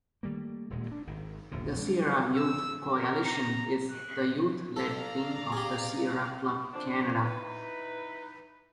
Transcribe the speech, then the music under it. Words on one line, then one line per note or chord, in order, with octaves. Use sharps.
The Sierra Youth Coalition is the youth-led wing of the Sierra Club Canada.
D#3 G3 A3 A#3
D#1 D2 A#2 G#3
D4
G#1 D#3
F1 A#1 D#2 D3
E3 G#3 D4
E6
A#4
A#5
F#6
A4 D5 F5 A#5
G4 G#4
D3 F3 C4 D4
D#4 E4 B4